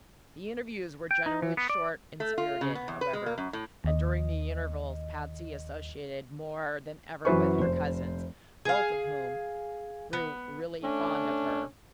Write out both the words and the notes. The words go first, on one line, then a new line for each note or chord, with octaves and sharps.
The interviews were generally short and spirited, however, and during the intervals Patsy associated more than ever with her cousins, both of whom grew really fond of her.
G5
D#4
E3
B3
D5
A3
F4
C#3
B3
E2
B4
G#3
A#3
F#2
A2
D#2 D#5
F#2 E3 F#4 B4 C5 C#6
F1 C5
G#4 F5
B3
A3 C#4 D4